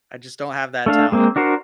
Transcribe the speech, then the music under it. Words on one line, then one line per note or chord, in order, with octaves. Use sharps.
I just don't have that talent.
A3 D4 F5
G#3 A#3 C4
D4 F#4 A#4 C5